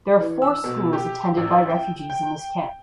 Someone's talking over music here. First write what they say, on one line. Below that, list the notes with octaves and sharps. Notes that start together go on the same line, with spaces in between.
There are four schools attended by refugees in this camp.
E3
E6
B2
G4
A1
G5
G5